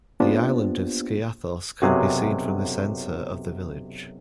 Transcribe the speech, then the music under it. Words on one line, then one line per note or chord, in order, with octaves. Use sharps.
The island of Skiathos can be seen from the centre of the village.
A#3 B3 D4 F4 G4 C5
B1 F#2 C3 F#3 G#4